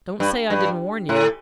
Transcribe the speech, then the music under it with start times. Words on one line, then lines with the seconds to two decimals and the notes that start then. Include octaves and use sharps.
Don't say I didn't warn you.
0.20 G2
0.50 G2
1.09 A2